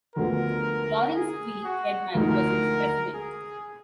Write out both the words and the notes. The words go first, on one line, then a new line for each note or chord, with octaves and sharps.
Lawrence V. Redman was its president.
D2 D3 F3 G#3 B3 A#4
G#4
F#4
D2 D3 F3 G#3 D#4 A#4
G#4